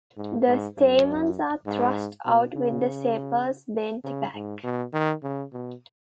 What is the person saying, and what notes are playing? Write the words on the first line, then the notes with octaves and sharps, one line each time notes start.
The stamens are thrust out with the sepals bent back.
G#2
G#2
F#2
G#2
B2
C#3
C#3
G#2
B2
D#3
C#3
B2